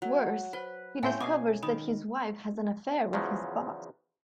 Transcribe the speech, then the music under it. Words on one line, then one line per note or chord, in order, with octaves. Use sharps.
Worse, he discovers that his wife has an affair with his boss.
F#3 F#5
B4 C5 F#5
A2 C4 C#4 E5 F5 G#5 G6
B2 G#5 D6 D#6 C7
D#3 B5 D#6
E2 C#3 F3 F#3